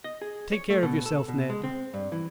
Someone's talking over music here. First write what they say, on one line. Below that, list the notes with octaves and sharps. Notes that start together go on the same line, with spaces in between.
"Take care of yourself, Ned."
D#5
G#4
C#5
A3
B2
A4
B2
G#3
C4
G2
E3